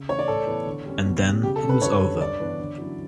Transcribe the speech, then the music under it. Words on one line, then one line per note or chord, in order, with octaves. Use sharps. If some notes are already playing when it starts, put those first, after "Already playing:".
And then it was over.
Already playing: C#3
E3 A3 C#4 C#5
D5
A2 A4
E3 B3 E4
D3
G3 C#4
B2
G3 C#4
C#3 G4
A4
G3 C#4
B4
F#2 C#5
D3 G3
G2 D5
E3 B3 D4
D3
F#3 C#4 E4